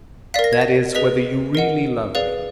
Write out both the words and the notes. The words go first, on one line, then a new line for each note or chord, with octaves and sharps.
"That is, whether you really love me?"
A#4 D5 F5 B6
A#6
G#6
A#6
G#4 B4 D#5 B6
A#4 D#5 F#5
G#4 B4 D5 F5